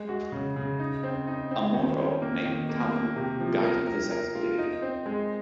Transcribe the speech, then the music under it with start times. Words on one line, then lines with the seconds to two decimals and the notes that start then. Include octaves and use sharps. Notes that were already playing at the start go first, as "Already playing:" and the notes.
A Moro named Talcum guided this expedition.
Already playing: G#3
0.09 F#4
0.32 C#3
0.56 C#3
0.79 D#4
1.03 C4
1.27 D#4
1.51 C4
1.74 D#3
1.98 C#4
2.22 A#3
2.45 D#3
2.69 A#3
2.93 A#3
3.16 C3
3.40 F3
3.63 A#4
3.87 A#4
4.11 A#4
4.35 F4
4.58 D#4
4.82 C4
5.06 G#3